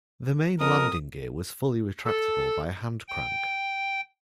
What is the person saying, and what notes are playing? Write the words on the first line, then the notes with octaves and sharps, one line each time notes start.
The main landing gear was fully retractable by a hand crank.
F2 A#4 D#6
A4
G5